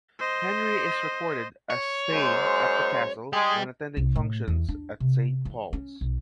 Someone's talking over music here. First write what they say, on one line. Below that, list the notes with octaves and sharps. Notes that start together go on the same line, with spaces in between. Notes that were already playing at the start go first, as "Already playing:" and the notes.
Henry is recorded as staying at the castle when attending functions at Saint Paul's.
C5 D#5
C#5
F#2 G#3 C5
G3 G#3 G#4
C2
A2
E2
D4
C3
E3
C#4
B1